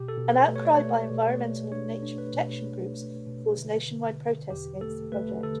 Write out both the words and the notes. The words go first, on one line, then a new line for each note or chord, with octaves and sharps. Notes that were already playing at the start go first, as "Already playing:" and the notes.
An outcry by environmental and nature protection groups caused nationwide protests against the project.
Already playing: B2 G4
A4
B2
B4
A3
C#5
D5
A3 C#5
B2
A3
D4 C#5
D4
B4
B2
D4
A3
B2
D3
D3
D3
E2 G4
A3 A4
A3 B4
D3 A4